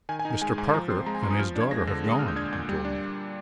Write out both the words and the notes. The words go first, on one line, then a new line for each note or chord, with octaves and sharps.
"Mr. Parker and his daughter have gone," he told me.
D#3 G#5
G#5
D#4
G#5
G#3 G#5
G#2 G#5
F3 A#5
C4 C6
G#3 A#5
G#5
G2 C6
D#6
F3 F6
D4 G#6
G#3 A#6
D3 A#6
G#3
D#6
A#2 F6
G6
D4 G#6
A#2 G6
G3
D4